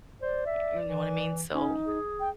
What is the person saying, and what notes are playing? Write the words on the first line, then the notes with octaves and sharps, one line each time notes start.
Eh, you know what I mean? So
C5 D5
E5
E3
C#4 D#4
G#4
G5